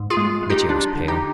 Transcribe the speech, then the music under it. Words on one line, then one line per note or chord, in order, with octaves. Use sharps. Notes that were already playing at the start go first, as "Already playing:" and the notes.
Mitya was pale.
Already playing: G#2
F4 G#4
G#3
G#3
D#4 G4
G3 D4 F4
D3
D#4 G4